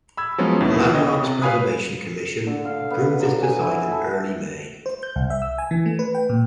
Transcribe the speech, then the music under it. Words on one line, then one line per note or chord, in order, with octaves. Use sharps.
The Landmarks Preservation Commission approved this design in early May.
B5 E6 G#6
F3 F#3 G#3 B3 C#4
D#2 B2 B3 E4
B3 C#5 D#5 G5
C3
B4 C#5 F5 G#5 B5 D#6
D3
F5
B3
F#3
G#5
E4
A4
C5
G6
C2
E5
E6
G#5
E3
A3
B4
G5
A#2